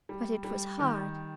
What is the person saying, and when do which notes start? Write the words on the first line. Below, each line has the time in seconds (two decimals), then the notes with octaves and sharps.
But it was hard.
0.09 G3
0.44 G3
0.79 D#3